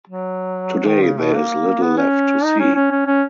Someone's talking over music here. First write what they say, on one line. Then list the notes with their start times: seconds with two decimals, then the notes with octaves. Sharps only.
Today there is little left to see.
0.09 F#3
0.87 D#3
1.03 C#3
1.19 B2
1.34 A#3
1.81 B3
1.97 C#4
2.44 D#4
2.60 C#4
2.75 C#4
2.91 C#4
3.07 C#4